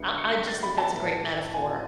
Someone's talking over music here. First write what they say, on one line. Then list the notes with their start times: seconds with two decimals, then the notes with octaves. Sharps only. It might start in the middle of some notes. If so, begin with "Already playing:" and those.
I I just think that's a great metaphor
Already playing: D3 G#3 B3 C#7
0.18 C#7
0.32 B6
0.47 A6
0.63 B5
0.78 A5
0.93 A2 E3 B3
1.54 G#5